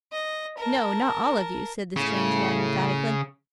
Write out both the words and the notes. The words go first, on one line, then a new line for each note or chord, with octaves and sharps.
'No, not all of you,' said the strange man emphatically.
D#5
A#4 A5
A2 C#3